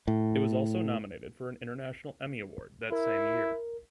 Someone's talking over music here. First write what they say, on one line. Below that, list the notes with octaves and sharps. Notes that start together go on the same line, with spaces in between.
It was also nominated for an International Emmy Award that same year.
A2
E4 A#4